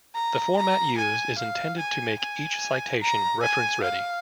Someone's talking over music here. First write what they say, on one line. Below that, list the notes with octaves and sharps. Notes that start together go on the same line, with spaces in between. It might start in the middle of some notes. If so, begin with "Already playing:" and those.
The format used is intended to make each citation reference-ready.
A#5
A#5
G#5
F5
G#5
G#5
A#5
G#5
F5